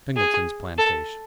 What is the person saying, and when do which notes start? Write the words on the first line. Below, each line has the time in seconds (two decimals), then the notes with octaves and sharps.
Singleton's plantation.
0.17 G#4
0.78 A4